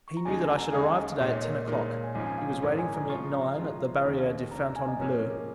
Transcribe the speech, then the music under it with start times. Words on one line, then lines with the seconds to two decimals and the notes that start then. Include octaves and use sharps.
He knew, that I should arrive to-day at ten o'clock; he was waiting for me at nine at the Barriere de Fontainebleau.
0.08 C#6
0.17 A#5
0.25 D#2 C#3 G#3 D#4 G#4 G#5
0.42 A#5
0.58 A#5
0.66 G#5
0.73 D#2 C#3 G#3 D#4 G#4 F5
0.96 D#5
1.20 A#2 G#3 D#4 C#5
1.44 A#4
1.67 A#2 G#3 D#4 A#4
1.80 C#5
1.91 F5
2.04 G#5
2.14 G#1 G#2 F3 C#4 G#5
2.26 G#5
2.38 F5
2.50 C#5
2.62 G#1 G#2 F3 C#4 A#4
2.79 G#5
2.94 A#5
3.09 C#3 F3 G#3 F4 C#6
3.26 A#5
3.41 A#5
3.57 C#3 F3 G#3 F4
4.04 D#2 D#3 C#4
4.52 D#2 D#3 C#4 A#5
4.63 A#5
4.76 G#5
4.88 D#5
4.99 G#2 F3 A#3 C#4 C#5
5.14 A#4
5.30 G#4